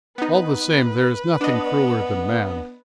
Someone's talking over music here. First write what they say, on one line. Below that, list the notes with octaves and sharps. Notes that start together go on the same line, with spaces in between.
All the same, there is nothing crueller than man.
B3 D#4 B4
B3 D4 D#5